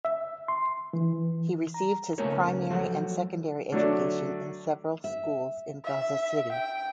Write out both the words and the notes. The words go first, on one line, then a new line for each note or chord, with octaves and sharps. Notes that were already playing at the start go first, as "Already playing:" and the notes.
He received his primary and secondary education in several schools in Gaza City.
E5
C6
E3
A#5
C#2 A3 A#3 C#4 A#4 C#5
F3 F#3 A3 F#4
D3 F#3 A3 D4
E5
E5
G5